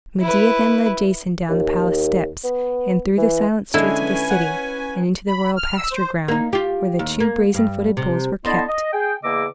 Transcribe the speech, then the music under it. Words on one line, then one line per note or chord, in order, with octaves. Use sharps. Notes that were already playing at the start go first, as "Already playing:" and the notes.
Medea then led Jason down the palace steps, and through the silent streets of the city, and into the royal pasture ground, where the two brazen-footed bulls were kept.
E4 B4
D#2
B3
E3
D3 G#3 C#4 E4 B4 G#5
F#5
B5
F6
E6
C5
A#3 D#4
F4 G4
D#2
A#3
G2
C3
D3 B3 E4 D#5 A5 C6
D#5
G#4 G5
E2 C#3 A#3 D#5 D6 E6